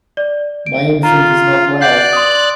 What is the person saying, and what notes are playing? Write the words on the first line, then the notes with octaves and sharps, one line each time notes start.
My infant is not well.
D5
D7
F4 A#5
D5 F#5 F#6 G6 C7
C6 D#6